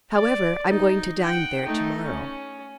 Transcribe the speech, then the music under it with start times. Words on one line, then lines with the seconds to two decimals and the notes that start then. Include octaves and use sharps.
"However, I'm going to dine there to-morrow."
0.16 D5
0.68 D#4
1.23 F#5 G5
1.65 A3 D#4
2.06 C#4